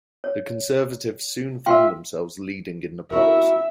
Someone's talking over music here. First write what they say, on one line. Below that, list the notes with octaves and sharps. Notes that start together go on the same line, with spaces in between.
The Conservatives soon found themselves leading in the polls.
C#5
F4 E5 F5 G5 C6
E4 F#4 A#4 E5